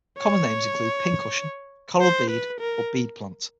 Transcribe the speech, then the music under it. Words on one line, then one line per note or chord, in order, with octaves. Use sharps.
Common names include pincushion, coral bead or bead plant.
C#5
C5
B4
A#4